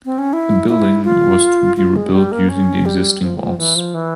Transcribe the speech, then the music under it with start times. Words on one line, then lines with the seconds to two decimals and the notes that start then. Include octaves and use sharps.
The building was to be rebuilt using the existing walls.
0.05 C4
0.18 C#4
0.33 E4
0.69 E4
1.04 F4
1.77 F4
1.96 G#3
2.13 G3
2.32 A#3
2.49 C#4
2.86 G3
3.22 F3
3.40 F3
3.58 E3
3.76 F3
3.94 E3